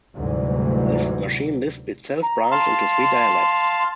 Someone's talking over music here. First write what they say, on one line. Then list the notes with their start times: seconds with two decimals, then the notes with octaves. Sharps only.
Lisp Machine Lisp itself branched into three dialects.
0.14 D2 G#2 C3 E3 F#3 G3
2.23 A#5
2.51 F5 A5 C6